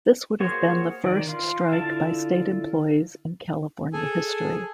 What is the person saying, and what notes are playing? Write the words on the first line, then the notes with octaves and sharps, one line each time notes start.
This would have been the first strike by state employees in California history.
A#3 F#4 G#4 C5 C#5
D#3 D5
F4
D3 E4 F4 F5 A5
G#4 A4 G#5